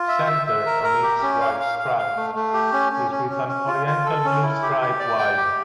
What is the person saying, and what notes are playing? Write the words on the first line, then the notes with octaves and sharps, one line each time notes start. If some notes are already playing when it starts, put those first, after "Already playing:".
Centered on each white stripe is with an oriental blue stripe wide.
Already playing: F4
E5
E5
E5
A#4
A#4
G4
C#4
F5
F5
F5
F5
A3
A3
G4
C#4
C#4
C#4
C#4
C#4
F4
F4
A4
C#4
E4
G4
G4
D5
G5
G4